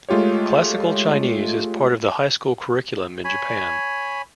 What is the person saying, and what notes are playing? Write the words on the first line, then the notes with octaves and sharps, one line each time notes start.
Classical Chinese is part of the high school curriculum in Japan.
G#3 A3 F4 G4 C#5
C#5 G#5 B5